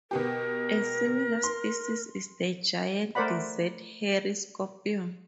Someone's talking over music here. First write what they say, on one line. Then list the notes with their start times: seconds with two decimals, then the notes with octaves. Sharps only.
A similar species is the giant desert hairy scorpion.
0.11 B2 B3 G4 A#4
1.44 C6
3.15 A3 A#4 C5 D5 F#5 B5